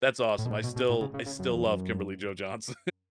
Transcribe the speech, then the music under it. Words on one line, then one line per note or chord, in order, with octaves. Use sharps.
that's awesome. I still I still love Kimberly Jo Johnson,
A2
B2
A2
B2
B2
A2
C#3
C#3
C#3
F#2
E2
F#2